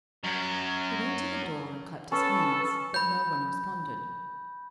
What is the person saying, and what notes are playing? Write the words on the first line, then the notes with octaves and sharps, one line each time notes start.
He went to the door and clapped his hands, but no one responded.
F#2 F#3
C#4 A4 B4 A5
B5 G6